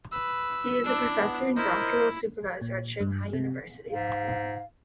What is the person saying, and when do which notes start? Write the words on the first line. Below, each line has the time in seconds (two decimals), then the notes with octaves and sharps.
He is a professor and doctoral supervisor at Shanghai University.
0.12 B4 E6
0.84 D4 E4
1.19 B3
1.56 E4 A#4 C5 D#5
2.62 A#2
3.01 G2
3.33 C3
3.91 G#2 F5